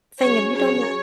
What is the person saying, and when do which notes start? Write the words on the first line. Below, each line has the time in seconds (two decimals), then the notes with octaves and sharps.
thing. Have you done that?
0.20 F#3 C#4 G#4 C#5
0.54 F#3 C#4 G#4 C#5